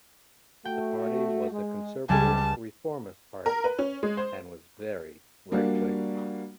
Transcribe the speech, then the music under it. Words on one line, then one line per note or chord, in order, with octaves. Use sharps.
The party was a conservative reformist party and was very right-wing.
A3 F#4 G5
G#3
C#2 C3 G3 G4 G#5 A5
A#4
B4
C#4
G#3
C5
G3 A#3 D4 F#4